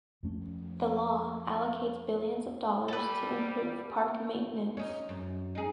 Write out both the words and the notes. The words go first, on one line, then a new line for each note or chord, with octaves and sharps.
The law allocates billions of dollars to improve park maintenance.
F2 F3 A3 C#4
G3 A4 B4
C#4 D#4
F#2
D#4 G#4